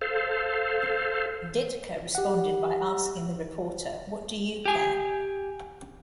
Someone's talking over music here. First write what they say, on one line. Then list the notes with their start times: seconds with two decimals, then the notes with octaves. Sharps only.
Ditka responded by asking the reporter, what do you care?
0.01 A4 C5 F5
2.15 G4 F#5
4.65 G4 G#5